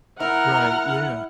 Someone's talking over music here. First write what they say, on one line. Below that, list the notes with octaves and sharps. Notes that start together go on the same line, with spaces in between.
Right, yeah.
E4 A#4 F#5 F6